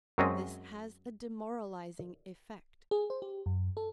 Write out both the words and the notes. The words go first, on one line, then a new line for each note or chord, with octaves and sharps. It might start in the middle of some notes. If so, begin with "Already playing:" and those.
This has a demoralizing effect.
F#2 F#3 G#3 C4 C#4 D#5
G#4
C5
G4
F#2
A4